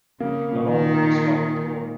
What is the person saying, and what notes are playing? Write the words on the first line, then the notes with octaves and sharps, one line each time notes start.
Not all trains stop at Torre.
C#3 A#3
A#2
D#3
D#4